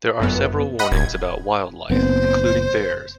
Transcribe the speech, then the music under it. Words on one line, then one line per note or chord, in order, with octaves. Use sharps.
There are several warnings about wildlife including bears.
G1 F#2 B3
D#5 F#5 B5
D1 G#6
F#1 B3 C4 C5